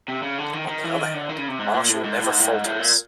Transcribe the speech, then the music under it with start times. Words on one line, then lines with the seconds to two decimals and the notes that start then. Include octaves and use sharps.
On the other hand, Marshall never falters.
0.08 C3
0.23 C#3
0.38 D3
0.53 D#3
0.68 D#3
0.84 E3
0.99 D#3
1.14 D3
1.29 D#3
1.38 C#3
1.48 C3
1.59 G#2
1.74 A#2
1.88 A2
2.04 G#2
2.19 A2
2.30 G#2
2.40 A2
2.49 G#2
2.65 A2
2.79 A#2